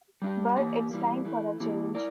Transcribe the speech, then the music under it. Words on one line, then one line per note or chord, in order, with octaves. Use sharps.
But it's time for a change.
G3 D4 G4
E2 E3 A#3 G4
E3 G3 A#3
E3 A3 E4
E3 A#3 E4 G4
E4 A#4 D5